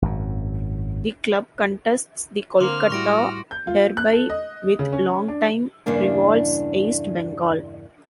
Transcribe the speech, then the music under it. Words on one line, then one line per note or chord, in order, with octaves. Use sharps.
The club contests the Kolkata Derby with long-time rivals East Bengal.
G#1 F#2
D3 A#3 C4 C6 D6 F6
A2 G3 E4 F#4 C#6 A#6 D7
G6
F4
F#6
A4
D#5
C#3
C#4
D4
E2 G2 C#3 A#3 D4